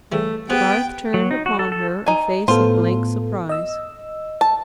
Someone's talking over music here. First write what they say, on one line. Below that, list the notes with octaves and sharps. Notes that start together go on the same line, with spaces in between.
Garth turned upon her a face of blank surprise.
C#3 E3 G3 A3
B3 G4 G#4 C5 G5
F#3
D#4
F#4
A4
A4
D#4 G#5
A2 B3 F4 A4 C5
D#5 E6
A5